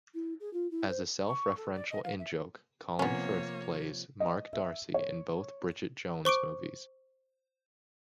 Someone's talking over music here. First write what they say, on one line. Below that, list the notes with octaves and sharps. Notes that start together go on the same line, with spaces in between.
As a self-referential in-joke, Colin Firth plays Mark Darcy in both Bridget Jones movies.
E4
G#4
F4
E4
C5
C#6
A4
D5
D#5
F5
E5
C3 F3 A#3 B3 C#4 C#5
D#5
E5
C#5
C5 C#6 D6 D7